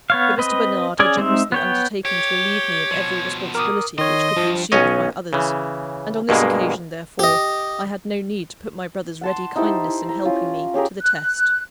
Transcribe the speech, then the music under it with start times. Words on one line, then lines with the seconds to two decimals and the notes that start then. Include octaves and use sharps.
But Mr. Bernard had generously undertaken to relieve me of every responsibility which could be assumed by others; and on this occasion, therefore, I had no need to put my brother's ready kindness in helping me to the test.
0.10 B3 C#5 F5
0.38 C4 B4 D#5
0.99 C#4 G#4 D5 G#5
1.17 G#3 C4 D#4 E5
1.52 B3 C#5 G5
2.05 G4 C#5
2.91 B2 F3
3.55 A#4 D6 D#6
3.98 D#3 C#5 D#5 C6
4.36 G2 F3
4.72 B1 C#4 C#5 D#5
5.33 C#3 E3
6.29 G2 B2 G#3 A#3
7.19 G4 D#5
9.21 F#5 A5 C6
9.56 D#4 E4 G4 C5
9.84 E4
10.09 A#5
10.25 C#4 F4
10.74 C#4 G4 G#4 A#4
11.01 F#6